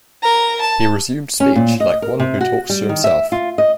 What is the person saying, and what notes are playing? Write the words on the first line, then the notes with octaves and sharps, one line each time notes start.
He resumed speech like one who talks to himself.
A#4 A#5
A5
C#4
A#2
D#5
A#4
C3
F#4
G3
D#3
E5
F4
D#5